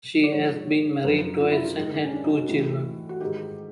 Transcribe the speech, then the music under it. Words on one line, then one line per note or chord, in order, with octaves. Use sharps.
She has been married twice and had two children.
D5
G#2 F3 C#5
F#2 C#3 F3 B4
F4
E4
F4
G#2 D#3
D4
C#4
D4
D#4
F#4
A2 E3
F#4
G#2 D#3 G4